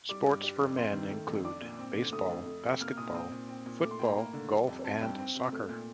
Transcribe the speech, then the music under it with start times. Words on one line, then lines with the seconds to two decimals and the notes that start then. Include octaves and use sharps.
Sports for men include baseball, basketball, football, golf and soccer.
0.09 G3 D6
0.26 G2
0.43 G3
0.60 F2
0.77 C4 C6
0.93 D#3
1.11 A3
1.28 F2
1.45 D4 D6
1.62 A#2
1.79 C4
1.96 D3
2.12 A3 D#6
2.29 F2
2.46 A3
2.64 C3
2.80 A#3 F6
2.97 A#2 D#6
3.14 C4 D#6
3.31 A#2
3.48 C4
3.66 A#2
3.82 A3 D6
3.91 C6
3.99 A2 G5
4.08 A#5
4.17 A#3
4.33 D3
4.50 G3
4.67 F2
4.84 C4 A5
5.01 G2 G5
5.18 C4
5.35 C3
5.52 A3
5.69 A#2